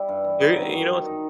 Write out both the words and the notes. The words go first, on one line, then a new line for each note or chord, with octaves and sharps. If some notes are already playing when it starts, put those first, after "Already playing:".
Y and you know
Already playing: G3 E4
G2
E3
F#2 D#4
D#3
D#3
D#3
D#4